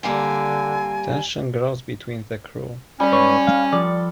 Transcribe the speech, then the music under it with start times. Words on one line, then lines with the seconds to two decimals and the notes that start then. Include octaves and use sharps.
Tension grows between the crew.
0.03 D3 G3 A#3 C4 G#5
3.00 G3 C#4 B5
3.12 G#2 B4 C#5
3.47 F5
3.73 F3 A4 D5